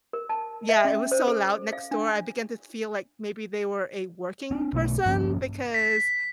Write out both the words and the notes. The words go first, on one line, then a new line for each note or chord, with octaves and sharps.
Yeah, it was so loud next door. I began to feel like maybe they were a working person because
A#4
A5
E5
C#4
C5
A4
F5
D4
C4 D4
B1 B2 F3 A3
G2 F3 A#3 C#4
B6